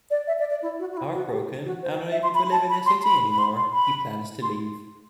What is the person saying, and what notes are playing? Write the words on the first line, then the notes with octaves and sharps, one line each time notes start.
Heartbroken and unable to live in the city anymore, he plans to leave.
D5
E5
D5
D5
E4
F#4
F#4
E4
F#4
G4
F#4
C5
E5
C6
B5
A5
B5
C6
B5
B5
C6
C6
B5
C6